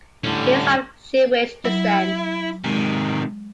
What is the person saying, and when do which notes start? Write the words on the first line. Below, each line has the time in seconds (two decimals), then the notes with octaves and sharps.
He is of Jewish descent.
0.24 A2 D3 G3 C#4
1.65 F#3 E4
2.64 C3 D#3 G#3